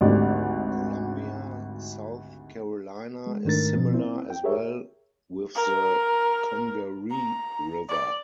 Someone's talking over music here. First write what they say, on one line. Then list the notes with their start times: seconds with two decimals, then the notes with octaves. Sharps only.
Columbia, South Carolina is similar as well with the Congaree River.
0.01 G#1 D2 G3 D5 D#5
3.27 G#3
3.45 G#2 D#3 A3 D4 A#4 A6
3.75 B2 F3 B3 C4
3.94 C4 E4
4.30 G5
4.44 G4 G#4 A#4 C#5 E5
5.55 A#4
7.11 A#5
7.89 D5